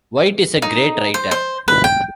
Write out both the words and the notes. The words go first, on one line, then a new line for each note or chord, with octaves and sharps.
White is a great writer.
D#4
C5
C5
B4
G5